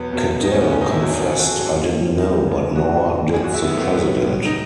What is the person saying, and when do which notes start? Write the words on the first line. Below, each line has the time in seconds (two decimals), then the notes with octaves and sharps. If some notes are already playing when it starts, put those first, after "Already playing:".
Cadell confessed 'I didn't know but nor did the president.
Already playing: E2 B2 F#3 B3
0.13 E2 B2 F#3
0.42 A2 F#3 D#4
0.52 C#4
0.61 B3
0.71 A2 F#3 C#4
0.81 D#4
0.91 E4
1.00 E2 D#3 F#3 F#4
1.10 G#4
1.20 A4
1.29 E2 D#3 F#3 G#4
1.39 F#4
1.49 G#4
1.59 G#2 F#3
1.88 G#2 F#3
2.17 F#2 E3 D#4
2.46 F#2 E3
2.76 G#2 E3 F#4
3.05 G#2 E3
3.34 F#2 D#3 F#3 G#4
3.44 F#4
3.54 E4
3.64 F#2 D#3 F#3 B3
3.74 A3
3.84 B3
3.93 A2 F#3
4.22 A2 F#3
4.45 D#4